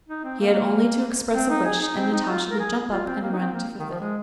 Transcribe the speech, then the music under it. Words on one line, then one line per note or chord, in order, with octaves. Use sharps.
He had only to express a wish and Natasha would jump up and run to fulfill it.
D#4
C4
A#3
C4
D#4
G#4
D#4
C4
D#4
F4
A#4
G#4
F4
C4
A#3
D#4
C4
A#3
D#3
F3
G#3